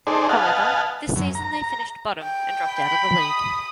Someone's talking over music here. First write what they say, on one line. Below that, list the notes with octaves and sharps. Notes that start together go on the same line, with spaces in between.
However, this season they finished bottom and dropped out of the League.
D#4 G#4 A4 C5 D5
B4 D#5 F5 F#5 G#5 A5
F#2
A#5
G5
B5
D#6